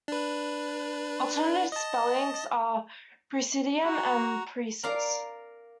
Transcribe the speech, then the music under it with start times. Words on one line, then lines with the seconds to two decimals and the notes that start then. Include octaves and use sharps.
Alternative spellings are "presidium" and "preses".
0.08 D4 B4
1.72 D#5 A5
3.83 F#4 A#5
4.83 A#4 D5 F5 A#5